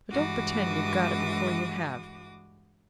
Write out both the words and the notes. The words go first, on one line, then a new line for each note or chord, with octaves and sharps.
But don't pretend you've got it before you have.
G2 E3 G#3 F#4 D6 D#6